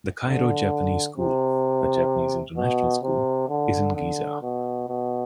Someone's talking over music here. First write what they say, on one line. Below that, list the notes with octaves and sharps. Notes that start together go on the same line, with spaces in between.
The Cairo Japanese School, a Japanese international school, is in Giza.
D3
C3
B2
C3
D3
D3
B2
B2